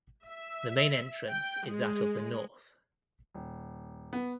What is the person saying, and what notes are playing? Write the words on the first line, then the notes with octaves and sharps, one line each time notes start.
The main entrance is that of the north.
E5
G5
G#3
D#1
B3